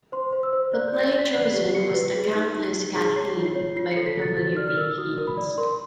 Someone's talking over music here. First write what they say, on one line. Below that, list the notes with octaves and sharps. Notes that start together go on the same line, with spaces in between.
The play chosen was "The Countess Cathleen" by W. B. Yeats.
C5 C6
C5
E6
C5
D5 F#6
G6
D5
A6
D5 B6
D5 C7
G4 C7
C7
G4 C#7
B4
G#4
D#4
D#4
D#4
G#4
C#5 C7
F4
C7
C#5
F4 C7
C#7
A4
B6
A4 A6
F#4 A6
D5 F6
F6
A#4 E6
F#4 D#6
A#4
B5
D5
A#4 C6